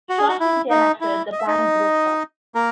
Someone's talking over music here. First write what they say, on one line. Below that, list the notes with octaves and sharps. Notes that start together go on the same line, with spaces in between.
Shortly thereafter, the band broke up.
F#4
G#4
F#4
E4
D#4
E4
D#5
E5
D#4 D#5
A#3 A#4